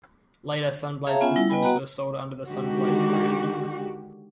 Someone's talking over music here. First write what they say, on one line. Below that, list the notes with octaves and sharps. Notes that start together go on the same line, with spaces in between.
Later Sun blade systems were sold under the Sun Blade brand.
G#4 C#5 E5 F5 A5 A#5
B3 C#4 F4 E5 F#5 G#5
G3 E4
B3 B4 D#5 G5 G#5 B5
B3 F#4 F#5 A#5
D3 D#3 G#3 F#4 G4